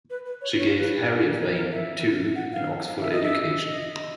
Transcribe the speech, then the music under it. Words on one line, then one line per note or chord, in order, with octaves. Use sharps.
She gave Harriet Vane, too, an Oxford education.
B4
B4
C#5
C#5
B4
A#4
A#4
E5
F#5
F5
E5
D#5
E5
D#5